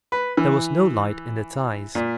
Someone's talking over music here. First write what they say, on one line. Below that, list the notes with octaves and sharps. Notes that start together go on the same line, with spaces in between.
There was no light in its eyes.
B4
E3
A#2